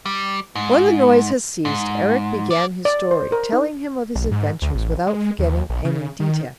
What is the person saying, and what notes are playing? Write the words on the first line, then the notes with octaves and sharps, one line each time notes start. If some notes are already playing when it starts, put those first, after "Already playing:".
When the noise had ceased, Erec began his story, telling him of his adventures, without forgetting any detail.
G3
G#2
G#2
A#3 D5
D5
C5
A#4
D#4
B1
G#2
D2
A1
G#3
D#2
A#1
C#3
D#3